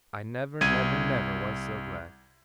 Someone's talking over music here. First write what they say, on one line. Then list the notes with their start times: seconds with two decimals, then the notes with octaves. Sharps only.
'I never, never, never was so glad!
0.61 C2 G#6 D#7